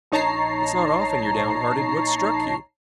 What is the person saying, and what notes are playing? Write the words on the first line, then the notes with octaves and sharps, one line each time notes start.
"It's not often you're downhearted. What's struck you?"
A#1 D#4 C#5 A5 A#5 C7